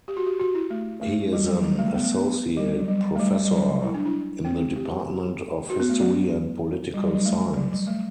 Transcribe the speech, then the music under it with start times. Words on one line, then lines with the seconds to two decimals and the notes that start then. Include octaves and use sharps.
He is an associate professor in the department of History and Political Science.
0.08 G4
0.17 F#4
0.27 G4
0.40 F#4
0.55 E4
0.70 A3
1.01 A3
1.33 G3
1.49 F#3
1.63 G3
1.79 A3
1.95 B3
2.03 A3
2.13 B3
2.57 G3
2.79 F#3
2.88 G3
3.16 A3
3.20 G3
3.45 G3
3.51 F#3
3.82 E4
3.94 D4
4.05 E4
4.45 C4
4.76 G4
5.70 F#4
5.80 B3
5.89 A3
6.01 F#3
6.94 G3
7.04 F#3
7.15 G3
7.25 A3
7.56 F#3
7.72 G3
7.87 A3